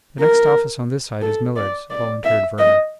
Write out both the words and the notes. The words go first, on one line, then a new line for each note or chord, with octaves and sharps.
"The next office on this side is Millard's," volunteered Werner.
A#4
A4
D5
D5
E5
D#5